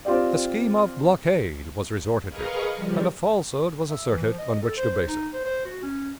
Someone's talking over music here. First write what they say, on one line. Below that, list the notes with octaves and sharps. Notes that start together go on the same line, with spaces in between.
The scheme of blockade was resorted to, and a falsehood was asserted on which to base it.
C4 F4 G4 D5
G#4 A#4 B4 D#5 F5 C#6
C#3 F3 G3
E5
E3
F3
D#5
A4
C5
C5
D#4
C5
C5
F#4
C#4